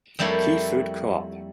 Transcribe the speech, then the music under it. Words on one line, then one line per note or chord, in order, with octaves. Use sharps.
Key Food Coop.
F2 G3 A3 A#3 E4 C#5